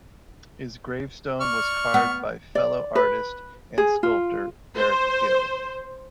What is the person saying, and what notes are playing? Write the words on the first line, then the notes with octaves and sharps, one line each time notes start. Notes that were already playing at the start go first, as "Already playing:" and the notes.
His gravestone was carved by fellow artist and sculptor Eric Gill.
D5 C#6 F6
B3
D5
B4
G#4
F4
C5